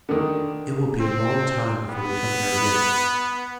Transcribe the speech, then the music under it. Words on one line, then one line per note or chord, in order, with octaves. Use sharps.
It will be a long time before they come here again.
D3 D#3
C4
B3